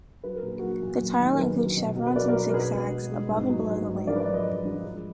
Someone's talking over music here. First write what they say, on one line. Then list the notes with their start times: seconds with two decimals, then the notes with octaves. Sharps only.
The tile includes chevrons and zigzags above and below the lamp.
0.24 F#3 B4
0.36 A#4
0.43 A#2 G#4
0.58 F#3 F#4 A#4
0.82 A#2
1.00 F#2
1.20 D#3
1.34 A#4
1.39 F#2 G#4 B4
1.58 F#2
1.77 B2
1.96 F#3
2.07 B4
2.16 B2 A#4 D5
2.28 A#4 D5
2.35 F#3
2.50 A#4
2.54 B2 G#4 B4
2.74 B2
2.93 G#3
3.11 G#3
3.31 G#2
3.49 F#3
3.69 G#2
3.88 G#2
4.07 F3 A#4 D5
4.15 B4
4.20 A#4 D5
4.27 F#2
4.34 B4 D#5
4.46 G#3
4.65 F3
4.85 G#3